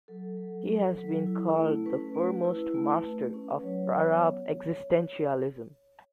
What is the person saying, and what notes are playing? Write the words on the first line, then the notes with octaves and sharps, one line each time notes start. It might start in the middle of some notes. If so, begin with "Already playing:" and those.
He has been called the foremost master of Arab existentialism.
F#3 A4
F#3
F#3
F#3
E4
A3
C#4 B4
A3
E4
A3
A3
C#4
F#3 C#5
B3